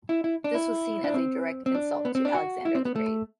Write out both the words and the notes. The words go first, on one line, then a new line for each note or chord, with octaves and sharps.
This was seen as a direct insult to Alexander the Great.
E4
E4
D4
E4
D4
C4
C4
D4
B3
C4
D4
F#4
E4
C4
B3
A3